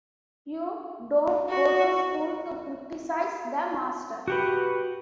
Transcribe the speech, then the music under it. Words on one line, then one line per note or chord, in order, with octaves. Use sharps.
You don’t go to school to criticize the master.
F#4
F#4 G4 B4